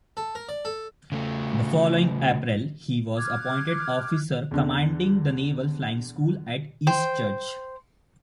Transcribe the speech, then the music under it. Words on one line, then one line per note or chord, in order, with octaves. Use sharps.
The following April he was appointed Officer Commanding the Naval Flying School at Eastchurch.
A4
A#4
D5
A4
C#3 A3
D6 F6 F#6 G#6
E2 D3
C5 G5